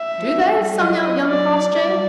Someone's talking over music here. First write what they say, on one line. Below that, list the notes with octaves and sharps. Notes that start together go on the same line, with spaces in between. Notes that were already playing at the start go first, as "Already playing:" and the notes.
"Do they?" sung out young Crossjay.
Already playing: E5
F3
G3
F#3 D#5
F#3 D5
G3 D5